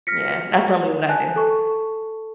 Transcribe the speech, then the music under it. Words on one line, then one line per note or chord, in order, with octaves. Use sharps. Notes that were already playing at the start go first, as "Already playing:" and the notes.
Yeah. That's normally what I do.
F6 A#6 B6 C#7
G#5 A5 F#6
A4 A5 C#6